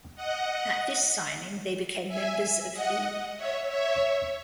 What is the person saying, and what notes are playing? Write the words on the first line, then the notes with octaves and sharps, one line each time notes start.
At this signing they became members of 'E.
D#5 F#5
E5 G#5
D#5 F#5
C#5 E5
C#5 E5